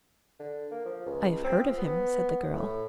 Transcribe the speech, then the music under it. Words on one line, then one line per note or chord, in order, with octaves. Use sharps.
"I have heard of him," said the girl.
D3
A#3
F3
C#2
C4
F3
B3
A2